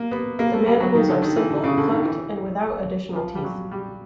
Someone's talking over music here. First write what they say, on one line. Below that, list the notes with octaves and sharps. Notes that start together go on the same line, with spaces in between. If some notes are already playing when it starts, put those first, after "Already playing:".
The mandibles are simple, hooked, and without additional teeth.
Already playing: A#3
B3
A#3
A3
G3
F#3
D#3
D3
D#3
E3
D3
C#3
D3
D#3
E3
F3
G3
F#3
G3